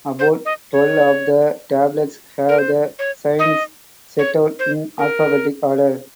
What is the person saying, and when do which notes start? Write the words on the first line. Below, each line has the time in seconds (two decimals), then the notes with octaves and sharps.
About twelve of the tablets have the signs set out in alphabetic order.
0.19 C5
0.45 D#5
0.73 C#5
2.49 A#4
2.58 C5
2.99 C#5
3.39 D#5
4.19 C#5
4.59 C5
4.98 A#4